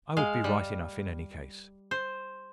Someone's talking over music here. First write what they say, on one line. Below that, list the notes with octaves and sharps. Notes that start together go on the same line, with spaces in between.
I would be right enough in any case . . .
G#3 F5
G3
C5